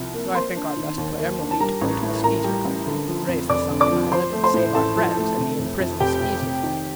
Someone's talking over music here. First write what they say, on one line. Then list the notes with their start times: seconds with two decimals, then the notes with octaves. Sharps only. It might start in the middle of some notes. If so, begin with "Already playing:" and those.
So I think our best plan will be to go to the Skeezer Country, raise the sunken island and save our friends and the imprisoned Skeezers.
Already playing: C2 C3 F3
0.14 A#3
0.35 A#3 C5 C6
0.56 D4
0.77 D#3
0.98 D#2
1.19 A#3
1.40 D4
1.51 A5
1.60 G3 A#4 A#5
1.81 A1
2.03 A2
2.23 A1 A#4 A#5
2.44 G3
2.65 A1
2.87 D3
3.08 F3
3.28 F2
3.49 F1 D5 D6
3.70 D3
3.80 D5 D6
3.91 F3
4.12 F3 C5 C6
4.33 A3
4.44 C5 C6
4.54 A2
4.75 A1 A4 A5
4.96 F3
5.17 A3
5.37 C3
5.59 F1
5.79 F2
6.00 F1 G4 G5
6.21 C3
6.42 F1
6.63 D#3